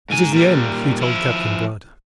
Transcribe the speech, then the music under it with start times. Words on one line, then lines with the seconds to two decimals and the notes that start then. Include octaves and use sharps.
"It is the end," he told Captain Blood.
0.10 G#2 G#5
0.33 A#2 G3
1.01 F3 E4